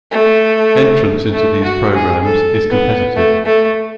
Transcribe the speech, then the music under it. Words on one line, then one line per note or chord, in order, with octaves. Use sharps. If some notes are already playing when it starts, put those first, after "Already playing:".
Entrance into these programs is competitive.
A3
A3
F#4
G#4
A4
B3
A3
A3